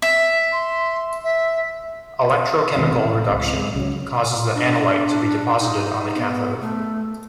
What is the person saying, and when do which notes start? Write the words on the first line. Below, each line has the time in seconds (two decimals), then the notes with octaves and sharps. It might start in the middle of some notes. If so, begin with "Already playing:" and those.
Electrochemical reduction causes the analyte to be deposited on the cathode.
0.02 E5
0.52 C6
1.24 E5
2.76 D#3 E3 G#3 C#4
2.91 A2 C3 D#3
3.05 A1
3.29 C#2 C4
3.57 G#3
3.75 C#2 C#3 F3 F#3
4.55 D4
5.59 D#4
6.17 B3
6.61 A3